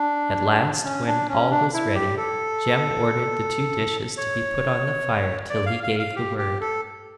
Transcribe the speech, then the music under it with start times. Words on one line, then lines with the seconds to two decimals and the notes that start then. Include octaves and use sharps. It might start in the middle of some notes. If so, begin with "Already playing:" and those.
At last, when all was ready, Jem ordered the two dishes to be put on the fire till he gave the word.
Already playing: D4
0.84 C#4
1.07 D4
1.29 C#4
1.51 D4
1.74 E4
1.95 G4
2.18 A4
4.17 C#5
5.50 D5
5.66 F5
5.84 F5
6.00 F5
6.16 G4
6.38 G4
6.61 A4